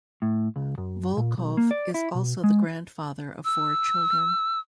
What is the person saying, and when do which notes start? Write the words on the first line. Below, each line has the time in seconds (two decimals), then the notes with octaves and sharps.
Volkov is also the grandfather of four children.
0.22 A2
0.56 C#2
0.78 F#2
1.17 A#2
1.38 B1
1.57 A#3
1.71 D5
1.94 E4
2.15 B2
2.44 G#3
3.45 E6